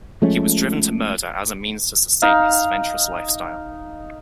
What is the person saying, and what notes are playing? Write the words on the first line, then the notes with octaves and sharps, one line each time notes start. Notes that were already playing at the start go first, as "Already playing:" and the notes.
He was driven to murder as a means to sustain his adventurous lifestyle.
F3 G#3 A3 C#4
D#4 F5